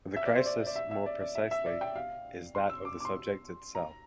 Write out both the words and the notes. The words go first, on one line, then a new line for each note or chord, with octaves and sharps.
The crisis, more precisely, is that of the subject itself.
E5
D5
C5
D5
D5
E5
E5
D5
D5
E5
E5
D5
G5
F5
C6
E6
D6
D6
C6
A#5